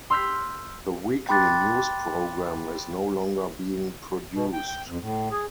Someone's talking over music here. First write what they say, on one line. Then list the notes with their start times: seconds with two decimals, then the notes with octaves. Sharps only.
The weekly news program is no longer being produced.
0.10 C6 E6 F6 G6 B6
1.29 G5 B5 C6 D6 F#6 A6
4.34 B2
4.53 G5
4.68 G5
4.88 F2
5.02 A2
5.31 G#4